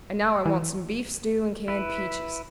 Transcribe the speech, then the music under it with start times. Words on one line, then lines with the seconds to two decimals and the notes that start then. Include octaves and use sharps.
And now I want some beef stew and canned peaches.
0.45 E3
1.68 E4 B4